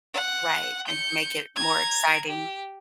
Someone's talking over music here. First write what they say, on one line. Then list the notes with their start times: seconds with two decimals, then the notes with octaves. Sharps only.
Right, and make it more exciting.
0.14 F#5
0.87 G6 C#7
1.56 A#5 G#6
2.28 G4